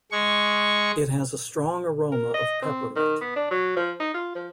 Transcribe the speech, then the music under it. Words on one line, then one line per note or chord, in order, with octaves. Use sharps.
It has a strong aroma of peppermint.
G#3 C#6
A#4
D#5
C4
D#3
B3
D4
F#3
F3
D#4
F4
F3